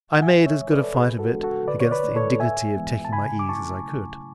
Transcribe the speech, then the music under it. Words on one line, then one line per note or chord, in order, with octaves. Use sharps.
I made as good a fight of it against the indignity of taking my ease as I could.
F#5
A2 E5 G#5
C#5 E5
E3 G#3
B4 D5
A4
A2 G#4 B4
F#4 A4
E3 G#3 B3 D4
F#4 A4
D3 B4 D5
C#5
B4 D5
A3 E4
A4 C#5
A2 E5 G#5
E3 G#3 B3
A5
C#3 G#5 B5
D6
F#3 A3 C#4 E4 A5 C#6